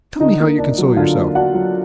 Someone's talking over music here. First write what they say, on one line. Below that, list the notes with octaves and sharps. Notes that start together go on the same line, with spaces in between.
"Tell me how you console yourself."
D3 D#4 D#5
A#3
D4 D5
F#3
D3 F4 F5
A#3
D4 F#4 F#5
F#3